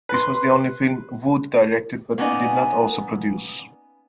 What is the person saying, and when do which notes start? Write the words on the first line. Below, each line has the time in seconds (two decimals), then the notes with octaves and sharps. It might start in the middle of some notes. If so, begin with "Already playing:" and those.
This was the only film Wood directed but did not also produce.
0.09 B4 C6
2.18 A#3 B3 C#4 D#4 D5 G#5